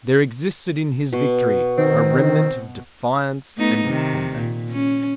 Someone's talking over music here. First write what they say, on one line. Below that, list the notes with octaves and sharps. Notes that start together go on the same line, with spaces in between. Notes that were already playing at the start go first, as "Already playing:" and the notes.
There existed in his victory a remnant of defiance and of combat.
B2
D#3 C4
A3 B3 D#4
C3 D#3
A#2
C#4